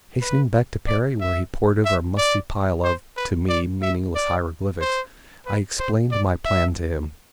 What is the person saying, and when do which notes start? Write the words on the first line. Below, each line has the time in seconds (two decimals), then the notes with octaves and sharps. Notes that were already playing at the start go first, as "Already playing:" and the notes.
Hastening back to Perry where he pored over a musty pile of, to me, meaningless hieroglyphics, I explained my plan to him.
0.21 B4
0.87 D5
1.20 E5
1.85 E5
2.18 D5
2.84 C5
3.17 B4
3.49 D5
3.82 E5
4.15 D5
4.81 C5
5.46 B4
5.79 C5
6.11 D5
6.45 E5